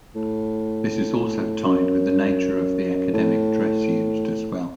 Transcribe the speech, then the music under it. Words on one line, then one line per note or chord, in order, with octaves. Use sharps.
This is also tied with the nature of the academic dress used as well.
A2
F#2
A2